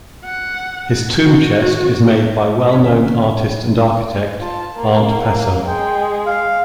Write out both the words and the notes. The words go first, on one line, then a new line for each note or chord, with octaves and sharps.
His tomb chest is made by well-known artist and architect Arent Passer.
F#5
F#4
G1 D3 C#4 B6
F4 A5
A#3
G#3 G5
F5